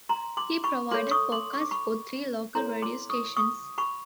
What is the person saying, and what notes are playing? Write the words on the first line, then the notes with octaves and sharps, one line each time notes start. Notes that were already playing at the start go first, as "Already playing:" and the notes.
He provided forecasts for three local radio stations.
A#5 C6
C6 D6
B5 C#6
F4 A4 C#5 C6 D6
C#6 D#6
C6 D6
C#6
D6
B5 C#6
E4 A4 C#5 A#5 C6
C6 D6
C#6 D#6
C#6 D#6
B5 C#6